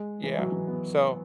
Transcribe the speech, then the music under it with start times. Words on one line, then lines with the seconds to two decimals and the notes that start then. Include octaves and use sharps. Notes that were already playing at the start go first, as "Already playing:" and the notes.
Yeah. So,
Already playing: G#3
0.24 E3
0.38 F#3
0.52 E3
0.67 B3